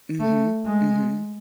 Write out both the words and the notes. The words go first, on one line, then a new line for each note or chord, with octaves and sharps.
Mhm, mhm.
A3
G#3